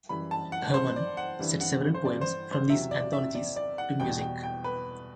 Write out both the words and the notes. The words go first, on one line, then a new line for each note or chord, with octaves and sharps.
Herrmann set several poems from these anthologies to music.
F#2 E3 G3 B5
A5
F#5
C5
D5
F#5
G2 E3 G3
F#5
C5
D5
C5
C5
E2 C3 F#3 E5
D5
E5
D5
D5
F#5
E2 B2 G3 G5
G5
G5
B4